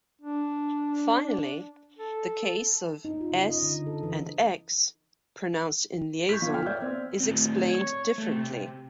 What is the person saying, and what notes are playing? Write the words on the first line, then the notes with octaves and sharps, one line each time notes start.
Finally, the case of "-s" and "-x" pronounced in liaison is explained differently.
D4
A4
D#4
F4
C#3
D#5
D3
A4
E3
C#6 G6 G#6 B6
F3 F5
G5 F6
D5 E5 G6 G#6
C4
A2 C4
C#5
A3
C3